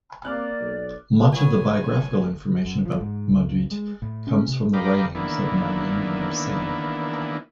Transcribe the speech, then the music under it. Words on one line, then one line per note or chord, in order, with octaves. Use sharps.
Much of the biographical information about Mauduit comes from the writings of Marin Mersenne.
A#3 C4 D5 D6 F6 F#6
B1
F#2 E3 A3 B3 F4 F#5 G#5 C#6
F#2
F3
G#2
C#2
G#3
A2
C#4
C3
D#5 F5 G5 A#5 B5 D6
D#3 E3 A#3 B3 D4 E4